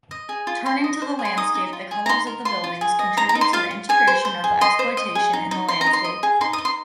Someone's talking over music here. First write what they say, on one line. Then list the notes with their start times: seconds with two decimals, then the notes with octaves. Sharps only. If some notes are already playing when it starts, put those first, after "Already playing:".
Turning to the landscape, the colors of the buildings contribute to the integration of the exploitation in the landscape.
0.11 D#5
0.29 G#4
0.47 F4
0.66 F4 C6
0.84 D#5
1.02 C5
1.19 G#4
1.25 C6
1.37 D#4 D#6
1.55 D#4
1.73 F4
1.91 G#4
2.06 A#5
2.09 D#4 C6
2.27 A#4
2.45 F4 C6
2.64 F4
2.81 G#4
2.99 D#5
3.17 D#4 A#5
3.29 A#5
3.35 D#4
3.41 C6
3.53 F4 F5
3.71 F4
3.89 G#4 G#5
4.07 C5
4.25 C5
4.44 G#4
4.61 D#5 C6
4.79 C5
4.97 D#5
5.15 G#4
5.33 D#4
5.51 D#4
5.68 D#4 C6
5.81 A#5
5.86 D#4
5.93 C6
6.04 D#5
6.23 G#4
6.41 D#4 C6
6.53 D#6
6.58 D#4
6.65 C6